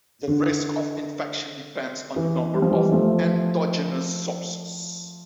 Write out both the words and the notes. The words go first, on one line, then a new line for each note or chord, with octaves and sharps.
The risk of infection depends on a number of endogenous sources.
D3
E3
G3
F3
E3 G3
F3 A3